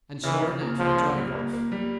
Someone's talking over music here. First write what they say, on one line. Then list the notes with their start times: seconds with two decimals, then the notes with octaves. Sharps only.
And sure enough, he drove off.
0.24 C#3 E3
0.42 C#3
0.61 A#3
0.79 C#2 F3
0.98 C#3
1.16 G3
1.35 A#3
1.53 A#3
1.72 G3